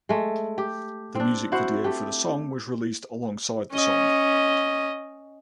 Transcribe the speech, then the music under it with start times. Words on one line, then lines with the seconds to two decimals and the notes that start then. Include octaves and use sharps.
The music video for the song was released alongside the song.
0.09 G#3 A3
0.58 G4
1.15 C4 D4
1.52 E4 F#4 C5 F#5
1.84 A3 G4
3.73 C#4 D#5